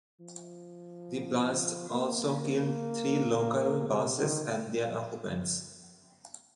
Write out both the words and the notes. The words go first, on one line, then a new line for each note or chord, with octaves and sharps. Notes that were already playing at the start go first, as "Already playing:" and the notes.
The blast also killed three local buses and their occupants.
F3
A#3
A#3
C3
D#3